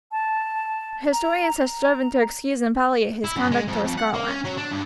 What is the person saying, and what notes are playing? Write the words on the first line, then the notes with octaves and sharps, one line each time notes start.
Historians have striven to excuse and palliate his conduct toward Scotland.
A5
A#5
A#5
E4
F#2
G#3
F2
F2
F#5
A#3
C#4
F#3
D4
G2